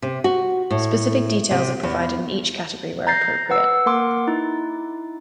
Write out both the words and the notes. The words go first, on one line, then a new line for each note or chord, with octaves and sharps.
Specific details are provided in each category where appropriate.
C3
F#4
A2
C3
E2
A#5 G6 A6 A#6 C7
B4 F#5 E6
A#3 A#4 F#5 C6 D6
D#4 E4